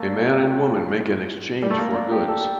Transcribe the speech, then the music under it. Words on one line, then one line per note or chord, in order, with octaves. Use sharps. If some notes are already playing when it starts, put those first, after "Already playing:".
A man and woman make an exchange for goods.
Already playing: A3 A#3
D4
F4
G4
F4
G3
A3
A#3
D4
G4
A4
G4